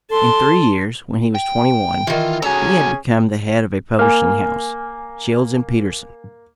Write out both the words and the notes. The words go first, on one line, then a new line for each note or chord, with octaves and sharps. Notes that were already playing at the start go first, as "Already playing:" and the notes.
In three years, when he was twenty-one, he had become the head of a publishing house,--Childs & Peterson.
A4 A5 C6
G5
D#3 E3 F4
C#4 F#4 G#4 A4 G#5 A#5
A#3 G#5 F6